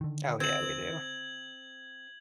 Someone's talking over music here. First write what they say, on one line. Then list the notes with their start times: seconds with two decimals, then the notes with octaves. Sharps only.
Oh, yeah, we do.
0.01 D3 D#3
0.40 C4 G#6 F#7